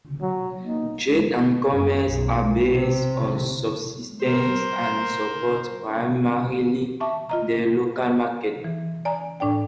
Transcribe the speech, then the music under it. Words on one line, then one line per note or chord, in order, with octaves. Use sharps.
Trade and commerce are based on subsistence and supports primarily the local market.
F#3
D#4
F#2
B1
C3
A#4 C5
E5 A5 C#6 D6
F4 D#5 A#5
D#5
E3
D5 G#5 A#5
A2 D4 D5 G5